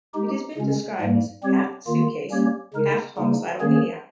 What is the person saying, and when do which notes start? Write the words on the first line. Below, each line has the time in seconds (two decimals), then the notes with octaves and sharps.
It has been described as "half suitcase, half homicidal maniac".
0.14 G#3 D#4 G4
0.57 C#3 G#3 C#4
1.01 G#2 G3 A#3
1.43 G3 C4 G4 C#5
1.86 D#3 A#3 F4
2.31 G3 A#3 C#4 G4 C#5
2.73 C#3 G#3 D#4 A#4
3.17 C#3 G3 A#3 D#4
3.60 D#3 A#3 C#4 G#4 C#5